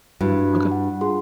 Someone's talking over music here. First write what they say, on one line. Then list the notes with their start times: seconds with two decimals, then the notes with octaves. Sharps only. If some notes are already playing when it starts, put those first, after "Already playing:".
Hm. Okay.
0.21 G2 D4 E4 F#4
0.72 F#5
1.01 F4 G#4 C6